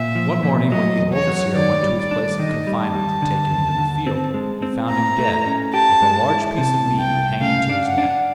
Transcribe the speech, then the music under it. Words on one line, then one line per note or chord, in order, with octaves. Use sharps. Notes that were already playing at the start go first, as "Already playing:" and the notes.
One morning when the overseer went to his place of confinement to take him into the field, he found him dead, with a large piece of meat hanging to his neck.
Already playing: A#2 E5
F3
A#2
F#3 D#5
E2
C#5
F#3
D#3 D5
G3
D5
D4
D#3 D#5
G3
A5
G3
D3
D#2
D3
C4
G#3
C4
A2 A#5
A3
C#4
G4 A5
G#3
E4
C3 A5
C2
G5
C2
C#3 F5
D4
F#5
D4